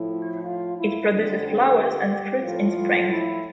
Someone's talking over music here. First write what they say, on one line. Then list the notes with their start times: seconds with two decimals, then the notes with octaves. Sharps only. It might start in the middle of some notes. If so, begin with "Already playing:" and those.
It produces flowers and fruits in spring.
Already playing: A2 F3 E4
0.43 F4
0.76 E4
1.09 F2 D3 G3 D4
1.42 C4
1.75 G4
2.42 A2 F3 F4
3.08 E4